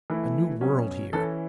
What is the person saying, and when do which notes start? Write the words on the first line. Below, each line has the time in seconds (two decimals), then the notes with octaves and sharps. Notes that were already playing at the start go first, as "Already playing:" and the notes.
A new world here.
0.10 E3 A3 E4
0.61 B2 F#3 C#4
1.13 E3 C#4 E4 A4